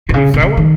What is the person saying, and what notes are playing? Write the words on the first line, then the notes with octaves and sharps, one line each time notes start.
Can you sell 'em?
B2
C#3
B2
C#3
D#3